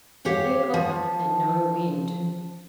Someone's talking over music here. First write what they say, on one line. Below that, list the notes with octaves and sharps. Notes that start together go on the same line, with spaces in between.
Three o'clock and no wind.
G4 C#5 F5 F#5
F3 A5